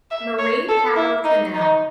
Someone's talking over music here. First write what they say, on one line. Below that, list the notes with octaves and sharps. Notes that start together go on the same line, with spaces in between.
Marie Power Canal.
E5
C#5
A4
E4
D#4
D#4